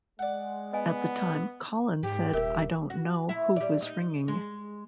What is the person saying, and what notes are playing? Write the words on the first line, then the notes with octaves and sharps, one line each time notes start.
At the time Colin said I don't know who was ringing.
G#3 D5 F#5
B3 D#5 G#5
G#2 G4
D#1 A#4 E5
F#4
E4
G3 D5
D#4
G#3